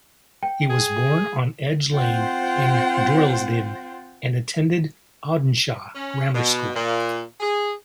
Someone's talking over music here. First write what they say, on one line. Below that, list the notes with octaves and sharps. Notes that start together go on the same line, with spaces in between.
He was born on Edge Lane in Droylsden and attended Audenshaw Grammar School.
G5
G#4
C4 F4 C5 F#5 G5
C#4
B2
A#2
G#4